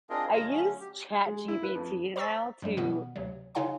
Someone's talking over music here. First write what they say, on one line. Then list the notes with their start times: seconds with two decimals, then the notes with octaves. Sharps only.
I use ChatGPT now to
0.10 C4 D4 F4 G#4 A#4 D#5
0.33 G2 C#3 F4 C#5 D#5 A#5
0.48 D3 F#3 A3 C#4
0.80 G4
1.26 G#3
1.48 E4
1.63 B4
1.75 F2
2.16 C5 A#5 C#6 E6 A6 B6
2.62 G2 F#3 G3
2.77 B2 D#3 G3 B3
3.16 D2 C3 F#3
3.55 C#3 D#4 C#5 F5 G#5 C6